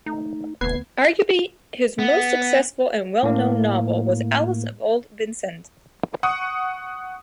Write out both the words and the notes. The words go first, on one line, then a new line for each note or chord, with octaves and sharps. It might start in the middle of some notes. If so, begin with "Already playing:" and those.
Arguably his most successful and well-known novel was "Alice of Old Vincennes".
A3 D#4
E1 D2 A#3 B3 B4 G#6 C7
B3
A2 A#3
F#5 C#6 D#6